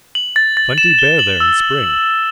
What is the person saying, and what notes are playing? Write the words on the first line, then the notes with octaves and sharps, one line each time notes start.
"Plenty bear there in spring!"
F#7
A6
A6
E7
G7
F#7
E6